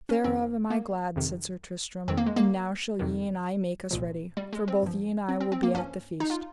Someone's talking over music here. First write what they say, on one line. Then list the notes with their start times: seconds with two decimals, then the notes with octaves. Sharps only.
Thereof am I glad, said Sir Tristram, and now shall ye and I make us ready, for both ye and I will be at the feast.
0.09 C#4
0.24 F2 D#3 C4
0.70 A#3
1.16 F2 C3 D#3
2.08 F2 D#3 C4
2.17 A#3
2.26 G#3
2.36 A#3
2.99 F2 C3 D#3
3.91 C2 A#2 F3
4.37 G3
4.53 G#3
4.68 C4
4.83 G2 F3
5.29 C4
5.40 C4
5.52 C4
5.63 A#3
5.74 G2 F3 C#4
6.20 D#4
6.30 F4